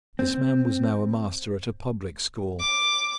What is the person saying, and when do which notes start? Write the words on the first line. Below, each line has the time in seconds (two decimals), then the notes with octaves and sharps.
This man was now a master at a public school.
0.19 C4
2.60 D6